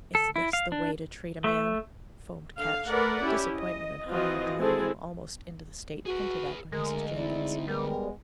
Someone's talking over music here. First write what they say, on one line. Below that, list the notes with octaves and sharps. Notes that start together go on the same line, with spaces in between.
"Is this the way to treat a man?" foamed Ketch, disappointment and hunger driving him almost into the state hinted at by Mrs. Jenkins.
A4
E4
F5
D4
A3
D3 F5
A3 A#4 B4 D5 F#5
C#4 E4 G4
D#5
E3 F3 C4 F4 F#4 D#5
G#3 C4 E4 F#4 G#4 A4
F#4 G#4 B4
D2 G#3 A#4
C4 D#4 E4 D5
G3 G#3 B3 A#4